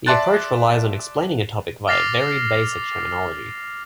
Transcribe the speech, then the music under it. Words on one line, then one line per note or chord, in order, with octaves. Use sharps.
The approach relies on explaining a topic via very basic terminology.
D5 E5 A5 C6 F#6 A6
D6 F6 A6 A#6 C7 F7